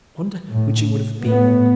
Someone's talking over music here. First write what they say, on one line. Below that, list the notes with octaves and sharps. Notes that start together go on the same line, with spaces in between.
I wonder which it would have been?
A2
A2 B3